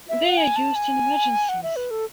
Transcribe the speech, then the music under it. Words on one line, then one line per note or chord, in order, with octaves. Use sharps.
They are used in emergencies.
E5
F#5
G#5
A5
G#5
F#5
E5
B4
A4